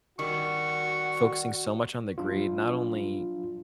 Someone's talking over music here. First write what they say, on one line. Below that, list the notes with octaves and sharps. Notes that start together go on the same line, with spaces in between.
focusing so much on the grade not only
D#3 G3 F#4 C#6
F3 F#3 D4 F4